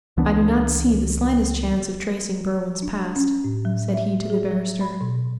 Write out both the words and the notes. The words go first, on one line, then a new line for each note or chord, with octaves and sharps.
"I do not see the slightest chance of tracing Berwin's past," said he to the barrister.
C#2 E3 B3 D4
D4
C#4
A2
F#3
E5
G#4
F#3
B5
B2